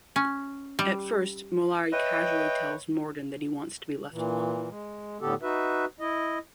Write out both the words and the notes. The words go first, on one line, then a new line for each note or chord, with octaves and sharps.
At first, Mollari casually tells Morden that he wants to be left alone.
C#4
G3
B4 C#5 D#5 E5 G5
A#2 E3
G#3
A2 D3 B3 G4 A4
D#4 F#4 B4 E5
E4 D#5